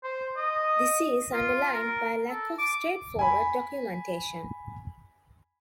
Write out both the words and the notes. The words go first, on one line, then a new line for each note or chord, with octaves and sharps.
This is underlined by lack of straightforward documentation.
C5
D#5
F4
A#4
A4
D6
G#5 B5